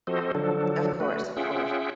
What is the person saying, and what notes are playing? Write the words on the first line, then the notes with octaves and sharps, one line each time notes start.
Of course, of course.
F3 C4 F#4 A4 C5 D#5
D3 F3 F#3 D4 A4
A3 F#4 B4
C#4 F4 G#4 E5 F#5 G5